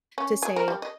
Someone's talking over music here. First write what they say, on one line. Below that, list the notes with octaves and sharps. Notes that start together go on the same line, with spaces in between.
to say,
C#4
G#4
A#4
G3
D#5